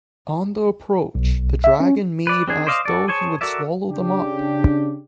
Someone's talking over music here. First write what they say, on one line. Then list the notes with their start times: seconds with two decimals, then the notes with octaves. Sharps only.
On the approach, the dragon made as though he would swallow them up.
1.15 B1
1.64 E5
1.80 C#4
2.27 B4 D5
2.47 C4 D4 G#4
2.67 C5 D5 D#5 F5
2.85 F#4 A4 D5
3.08 G#4 C5 C#5 A5 C#6
3.41 F#4 A4 A#4 D5 E5
3.89 C#3 D4 G4